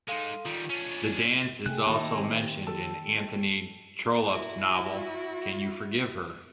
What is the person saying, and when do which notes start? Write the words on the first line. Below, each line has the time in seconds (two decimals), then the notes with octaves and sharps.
The dance is also mentioned in Anthony Trollope's novel Can You Forgive Her?
0.08 G#3 D#4 A4 F5 C6
0.45 D#3 G3 F4
0.70 C#4 D4
1.66 C3 A3 G#4 G5 G#5 F#6
1.87 D#3 A#3 D#4 E4 F#4 G5 A5
2.16 C3 C4 G#5
2.67 G4 A4 A5 E6
4.28 E4 F#4